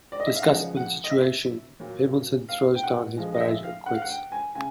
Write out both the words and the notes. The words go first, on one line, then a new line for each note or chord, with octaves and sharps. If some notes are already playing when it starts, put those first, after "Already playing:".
Disgusted with the situation, Pembleton throws down his badge and quits.
D5
D#5
E5
F5
C#3 F3 G#3 F#5
F#5
D#5
E5
A#2 F#3
F5
G5
F#5
D3 F3 G#3
D#5
E5
F5
F#5
F5
F#5
G5
G#5
C#3 G#5